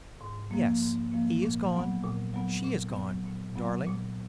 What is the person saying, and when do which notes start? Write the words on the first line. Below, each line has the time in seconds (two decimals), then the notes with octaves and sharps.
'Yes, he is gone--she is gone, darling.
0.21 G#2
0.51 F3 A#3
0.82 G#2
1.12 F3 A#3
1.42 A#2
1.73 F#3 B3
2.03 A#2
2.34 F#3 B3
2.65 A#2
2.95 F#3 B3
3.26 A#2
3.56 F#3 B3
3.86 A#2